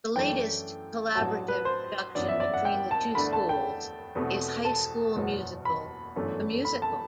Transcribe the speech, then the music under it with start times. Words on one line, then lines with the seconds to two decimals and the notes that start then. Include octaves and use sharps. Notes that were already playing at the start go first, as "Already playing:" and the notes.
The latest collaborative production between the two schools is High School Musical: The Musical!
0.16 F#2 E3 A3 D4 G5
1.15 A1 G2 F#3 A5
1.48 B4
1.65 C5
2.15 G1 F#2 E3 B3 D5
2.28 E5
2.40 D5
2.54 F#5
2.65 G5
2.91 A5
3.15 E2 D3 A3 D4 B5
3.33 A5
3.49 G5
4.15 E2 B2 A3 C4
4.65 A5
5.16 F#1 E2 B2 F#3
5.65 B5
6.16 G1 F#2 E3 A3 D4
6.65 B5
6.82 A5